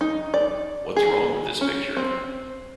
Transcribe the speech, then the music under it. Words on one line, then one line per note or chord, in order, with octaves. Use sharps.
What's Wrong with This Picture?
D#4
D5
G#4
C#4
C4